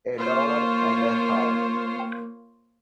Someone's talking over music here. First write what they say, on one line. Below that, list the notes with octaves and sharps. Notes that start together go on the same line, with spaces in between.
A dollar and a half!
A#3 F4 C5 C#5